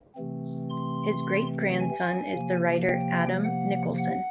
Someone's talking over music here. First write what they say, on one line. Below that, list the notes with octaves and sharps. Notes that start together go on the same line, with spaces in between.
His great-grandson is the writer Adam Nicolson.
C3 E3 A3 C4
C6
G#5
C3 F3 A#3
G5
F#5
F#5